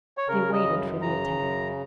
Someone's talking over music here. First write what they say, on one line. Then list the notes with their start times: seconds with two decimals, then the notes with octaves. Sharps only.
They waited for the attack.
0.18 C#5
0.28 C#3 A#4
0.53 D#5
0.65 F#2
1.02 C#3 A#5
1.39 F#2